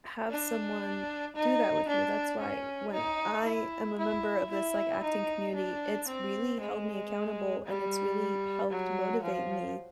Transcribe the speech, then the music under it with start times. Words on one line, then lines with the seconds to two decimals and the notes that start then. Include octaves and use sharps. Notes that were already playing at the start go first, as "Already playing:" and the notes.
have someone do that with you, that's why when I am a member of this like acting community, it's really held me accountable and it's really helped motivate me
0.30 D4
1.35 D#4
1.88 D4
2.40 C#4
2.92 D#4
3.46 E4
3.98 E4
4.51 E4
5.03 D#4
5.55 D4
6.08 C4
6.60 G#3
7.66 G3
8.70 F#3
9.23 F3